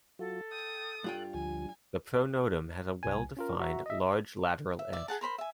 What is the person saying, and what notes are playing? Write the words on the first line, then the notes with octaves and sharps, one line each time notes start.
The pronotum has a well defined, large lateral edge.
F#3 F4 F#4 A4
G5 D#6
G2 F4 G5 F#6
D2 F3 G#5
C2 G#5
C#4 F4 A#4
F#4 E5 A#5
D#5 E5
E5
D5 E5
G#4 F#5 A5
A#4 C5 B5 C6
E5 G#5